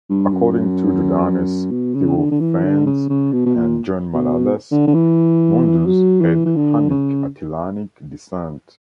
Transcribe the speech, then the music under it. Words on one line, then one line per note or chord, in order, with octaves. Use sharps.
According to Jordanes, Theophanes and John Malalas, Mundus had Hunnic Attilanic descent.
G2
F#2
B2
C#3
D3
D3
E3
D3
C#3
C#3
B2
B2
A#2
B2
D3
D3
E3
F#3
E3
E3
D3
C#3